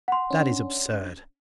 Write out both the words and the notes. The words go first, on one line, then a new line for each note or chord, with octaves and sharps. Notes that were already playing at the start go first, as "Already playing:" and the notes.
"That is absurd."
F#5 C6
C#4 D4